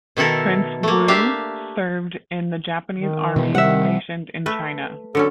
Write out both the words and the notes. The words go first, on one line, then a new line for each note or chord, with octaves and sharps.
Prince Wu served in the Japanese Army stationed in China.
B2 D#3 E4 A4 A#4
A3 A#3
D4 G4 E5 F5
D#3
B2 E3 B3
C3 D#3 G3 E5 F#5
A3 B4
D3 F#3 C#4 A4